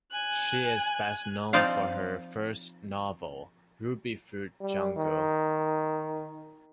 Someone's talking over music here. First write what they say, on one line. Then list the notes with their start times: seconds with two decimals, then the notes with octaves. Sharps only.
She is best known for her first novel "Rubyfruit Jungle".
0.12 G#5 F#6
1.53 F3 C4 D#4 F4 D5 F5
4.60 G3
4.97 D#3